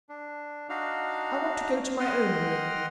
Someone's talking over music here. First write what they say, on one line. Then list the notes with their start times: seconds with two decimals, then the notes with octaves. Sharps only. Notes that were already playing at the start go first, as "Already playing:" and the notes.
"I want to go to my own room."
0.09 D4
0.69 D4 D#4 F#4 F5
2.00 D#5 F#5 G5 C6 F6